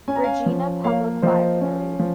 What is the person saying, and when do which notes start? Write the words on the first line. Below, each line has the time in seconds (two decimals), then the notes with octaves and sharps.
Regina Public Library.
0.08 C#4 G#5
0.16 A#5
0.24 F5 G#5
0.46 F3
0.84 A#3 C#5 F5
1.22 F3 C5 D#5
1.61 C#4
1.99 F3